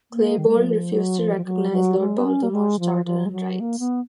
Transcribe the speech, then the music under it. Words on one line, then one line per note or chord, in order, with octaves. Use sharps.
Claiborne refused to recognize Lord Baltimore's charter and rights.
A#3
D#3
G#3
F#3
F3
F#3
F3
F3
F#3
F#3
G#3
B3
C#4
A#3
G#3
F3
F3
G#3
F#3
A#3
B3